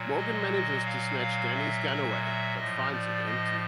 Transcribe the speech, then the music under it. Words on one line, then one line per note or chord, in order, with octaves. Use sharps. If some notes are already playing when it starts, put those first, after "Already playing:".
Morgan manages to snatch Danny's gun away, but finds it empty.
Already playing: A#2 F#3
D#5
D#5
F5
F5
E5
E5
E5
A2 F3 D#5
D5
D#5